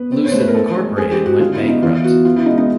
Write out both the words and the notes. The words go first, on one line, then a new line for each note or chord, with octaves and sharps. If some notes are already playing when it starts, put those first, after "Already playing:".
Lucid Incorporated went bankrupt.
Already playing: B3 B4
C4
C#5
A3 C5
B4
A#4
C4 A4
G#3
C4 G#4
G4
G#3
F#4
D3 F4
E4
B3
D#4
E3 F4
B3 F#4
B3 F4
E4
G#3 D#4
D#4